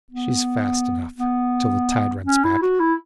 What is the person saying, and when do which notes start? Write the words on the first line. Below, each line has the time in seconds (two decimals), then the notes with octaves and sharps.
'She's fast enough till the tide runs back.
0.11 B3
1.18 B3
2.26 C#4
2.44 E4
2.62 F#4
2.80 E4